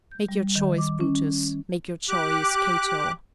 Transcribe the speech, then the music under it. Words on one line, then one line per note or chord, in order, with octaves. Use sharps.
Make your choice, Brutus; make your choice, Cato.
G6
G3
D#3
D6
C#4
G4 D6 F#6